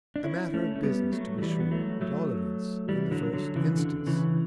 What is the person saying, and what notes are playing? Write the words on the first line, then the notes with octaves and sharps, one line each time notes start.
A matter of business, to be sure--at all events in the first instance.
D4
C#4 E4
A3 C#4
A3
G3 B3
F#3 A3
F#3
E3 G3
B3
F#3 A3
F#3 A3
E3 G3
D3 F#3
D3 F#3
C#3 E3
D3
C#3 E3